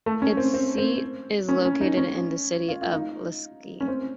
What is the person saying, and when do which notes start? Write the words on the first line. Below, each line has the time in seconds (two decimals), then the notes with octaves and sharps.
Its seat is located in the city of Lysekil.
0.06 A3
0.22 C#4
0.37 C4
0.54 C4
0.78 C4
1.49 C#4
1.65 C#4
1.81 D#4
1.97 C#4
2.68 F4
2.82 F4
2.93 D#4
3.80 C#4
3.88 C4